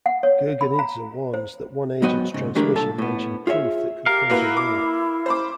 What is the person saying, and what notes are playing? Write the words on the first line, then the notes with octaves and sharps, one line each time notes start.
Gurgenidze warns that one agent's transmission mentioned proof that could cause a war.
F#5
C#5
B5
A#5
C5
G#2 F#3 B3 F#4 D#5 G5
G#2 C#3
E3 G#3 A3 D4 G4 A#4
C2 A#2 A4 A5
A2 B3
F4 G#4 C#5 D#5 E5
G4 A#4 F5
A#3 E4 F#4 B4
D6
C5 B5 D6